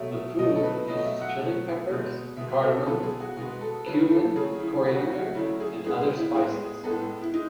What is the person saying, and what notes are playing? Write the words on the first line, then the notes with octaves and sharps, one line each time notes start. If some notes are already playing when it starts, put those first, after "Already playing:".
The food uses chili peppers, cardamom, cumin, coriander and other spices.
Already playing: B2 F#3 A3 E5
B2 F#3 A3 D#5
A4
B4
B2 F#3 A3 D#5
D#5
E5
F#5
B2 F#3 A3
B2 G#3 B3
B2 G#3 B3 E5
A4
B2 G#3 B3 A4
G#4
F#4
B2 G#3 B3 F#4
A4
C#3 F#3 A3 B4
A4
C#3 F#3 A3 G#4
E4
C#3 F#3 A3 F#4
F#4
C#3 F#3 A3 E4
G#4
A2 G#3 B3 G#4
G#4
E4
A2 G#3 B3 G#4
A2 G#3 B3 A4
E4
G#3 D#4